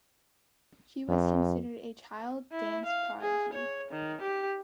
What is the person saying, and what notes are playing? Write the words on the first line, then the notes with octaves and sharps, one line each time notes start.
She was considered a child dance prodigy.
F2
E4
F5
G#4
C#5
D#3
G4